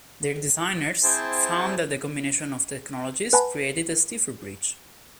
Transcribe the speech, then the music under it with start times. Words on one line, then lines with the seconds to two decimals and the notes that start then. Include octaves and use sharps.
Their designers found that the combination of technologies created a stiffer bridge.
1.04 C4 E4 G#4 C5 G5 A5
3.33 B4 F#5 G#5 A5 B5